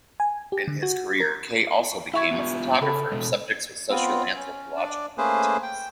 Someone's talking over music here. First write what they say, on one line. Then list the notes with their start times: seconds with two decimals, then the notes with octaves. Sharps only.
Later in his career Kay also became a photographer of subjects with socio-anthropological contents.
0.20 G#5
0.52 G4
0.68 D3
0.83 F#4
1.20 A#4
2.14 E4 E5 C#6 G#6
2.31 B3 F4 G4
2.81 C#3 A4 B5
3.12 B2 G#3
3.90 B3 C4 F4
4.36 C#4
4.77 D4 D5
5.18 A3 A#3 C#4 G#4 B4 C5
5.63 G5